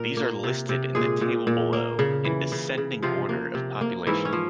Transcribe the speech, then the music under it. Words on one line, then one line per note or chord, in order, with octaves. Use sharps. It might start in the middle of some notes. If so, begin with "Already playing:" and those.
These are listed in the table below, in descending order of population.
Already playing: A#2 A#4
A#3
C3
C3
A#2 G#3 G#4
A#2
A#2
A#3
C#3
E3
C#3
C#3
C3 F3 F4
A#3
C3
A#3
G#2 E3 E4
C#4
F3